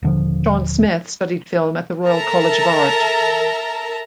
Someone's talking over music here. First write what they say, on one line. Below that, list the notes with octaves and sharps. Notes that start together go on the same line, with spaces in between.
John Smith studied film at the Royal College of Art.
D#1 D3 F3
A4 A#4 E5 A5 A#5